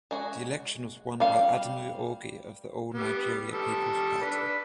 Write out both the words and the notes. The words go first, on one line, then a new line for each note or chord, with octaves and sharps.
The election was won by Adamu Augie of the All Nigeria Peoples Party.
G#3 F#4
G3 F5
G3 B3
D#3 G3 A4
D4 B4